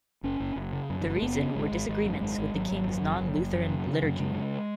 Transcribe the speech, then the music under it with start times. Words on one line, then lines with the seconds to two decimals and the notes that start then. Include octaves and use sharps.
The reason were disagreements with the King's non-Lutheran liturgy.
0.23 F#1 C#4
0.40 F#1
0.56 F#1
0.73 C#3
0.90 F#2
1.01 D#3
1.06 F#1 F#3
1.16 G#3
1.22 F#1 B3
1.38 C#3
1.55 G#1 G#3
1.72 G#1
1.89 G#1 G#3
2.05 F#2
2.21 G#1 G#3
2.38 G#1
2.54 G#1 F#3
2.71 G#1
2.87 F#2 F#3
3.04 F#1
3.21 F#1
3.38 F#1
3.53 F#2
3.69 C#3
3.87 C#3
4.03 F#2
4.20 C#3 G#3
4.35 C#3